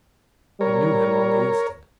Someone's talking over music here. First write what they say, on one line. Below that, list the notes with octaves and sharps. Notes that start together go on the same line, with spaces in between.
I knew him on the instant.
G3 A#4 C#5